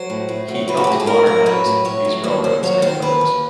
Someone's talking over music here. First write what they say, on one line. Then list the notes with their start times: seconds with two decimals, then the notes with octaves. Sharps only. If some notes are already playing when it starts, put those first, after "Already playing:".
He helped modernize these railroads and others.
Already playing: F#3 C5
0.10 A2
0.29 A2
0.48 F#3
0.68 F#3 B4
0.77 F#4
0.84 G4
0.87 A2 G#4
1.00 A4
1.06 A2 A#4
1.26 F#3 A#4
1.46 F#3 B4
1.65 A2
1.85 A2 C#5
2.05 F#3
2.24 D#2 C5
2.44 D#2 C5
2.63 F#3 C#5
2.82 D#3 C5
3.02 D#2 B4
3.21 D#2